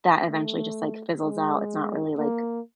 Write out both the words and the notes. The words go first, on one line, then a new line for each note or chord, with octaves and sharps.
that eventually just, like, fizzles out? It's not really, like,
A3
G#3
A#3